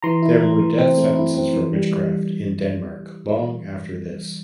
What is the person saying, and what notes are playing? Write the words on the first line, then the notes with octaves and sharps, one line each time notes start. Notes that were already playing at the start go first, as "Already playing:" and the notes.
There were death sentences for witchcraft in Denmark long after this.
E3 A#5 C6
E4
A3
E3
C4
A3
E4
C4
E3
G3
G3